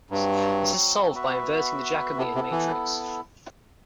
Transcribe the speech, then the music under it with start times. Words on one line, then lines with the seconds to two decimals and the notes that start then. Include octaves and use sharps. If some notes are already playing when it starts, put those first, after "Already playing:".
This is solved by inverting the Jacobian matrix.
0.10 G2 F#3 C4 F#4
1.13 B3 F#4 B4 E5
2.17 C3 B3 E4 A4
2.35 C3
2.51 E3